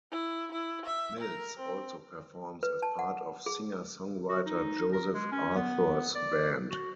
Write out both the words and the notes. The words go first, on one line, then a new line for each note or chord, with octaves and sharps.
Mills also performs as part of singer-songwriter Joseph Arthur's band.
E4
E4
E5
A#4
C4
B4
A5
F#5
G#4
F#4
D#4
A#4
G#3
C#4
B3
D5
F#4